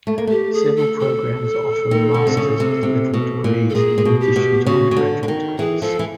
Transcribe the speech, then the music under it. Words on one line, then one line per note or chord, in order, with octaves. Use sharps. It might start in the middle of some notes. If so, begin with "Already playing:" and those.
Several programs offer masters level degrees in addition to undergraduate degrees.
A3
A#3
A3 G4
G#4
A4
A4
D#3
D3
C3
C#3
C3
C3
B2
A#2
A4
A#2 G#4
A#2
B2
G4
B2
C#3 F#4
C#3
D3
D3
D#3
E3 G#4
F3 A4
E3